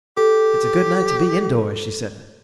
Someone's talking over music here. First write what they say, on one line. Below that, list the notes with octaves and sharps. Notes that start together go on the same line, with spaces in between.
"It's a good night to be indoors," she said.
G4 A4